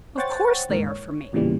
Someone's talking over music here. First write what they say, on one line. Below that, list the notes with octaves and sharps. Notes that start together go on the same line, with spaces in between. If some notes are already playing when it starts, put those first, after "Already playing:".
Of course they are for me.'
C5 C#5 F#5 G5 C#6 A6
D#2 G#2 A#4
C#5
A1 E2 A#2 C#3 E3 G3